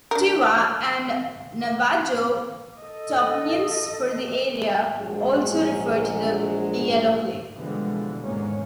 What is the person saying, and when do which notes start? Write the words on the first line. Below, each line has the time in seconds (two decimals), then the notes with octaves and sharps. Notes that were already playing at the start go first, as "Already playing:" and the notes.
Tewa and Navajo toponyms for the area also refer to the yellow clay.
0.11 D4 A#4
2.80 A4 D#5
4.99 A#1 F#3 G#3
7.56 B2 D3 E3 F3 G3 G#3
8.24 E2 G#2 D#3 G#3 A#3 C#4